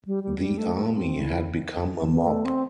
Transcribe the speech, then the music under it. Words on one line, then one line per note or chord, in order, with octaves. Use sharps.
The army had become a mob.
G3
G3
G3
A3
A3
C4
E4
B3
A3
C4